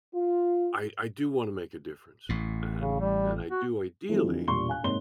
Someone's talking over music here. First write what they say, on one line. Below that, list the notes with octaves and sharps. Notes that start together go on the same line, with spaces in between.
I I do wanna make a difference, and and I do ideally
F4
A1 A2
C#3
G3
F#4
E3 F#3 G#3 A3 C4
F2 D3 E3 F3
E1 A#2 G3 C6 C#6 G7
F5 G#5 F#6
G#2 C3 A#3 C#5 C6 G7